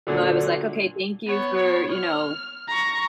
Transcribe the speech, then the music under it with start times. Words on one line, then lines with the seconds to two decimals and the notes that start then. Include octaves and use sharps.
So, I was, like, okay, thank you for, you know?
0.07 A#2 D3 F#3
1.27 B3 C#5
1.92 F6
2.68 A#5 C#6